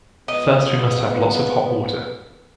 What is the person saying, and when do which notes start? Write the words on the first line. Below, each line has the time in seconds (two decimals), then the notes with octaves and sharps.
First we must have lots of hot water.
0.28 F3 G#3 B3 D#5